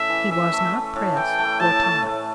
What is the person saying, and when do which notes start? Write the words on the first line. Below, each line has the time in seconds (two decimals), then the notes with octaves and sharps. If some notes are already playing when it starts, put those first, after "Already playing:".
He was not pressed for time.
Already playing: A2 C#4 E5
0.10 E3
0.31 E3 E5
0.52 A3
0.73 A3
0.96 A2
1.17 E3 G5
1.39 A3
1.60 A2 A5
1.81 A3
2.02 A2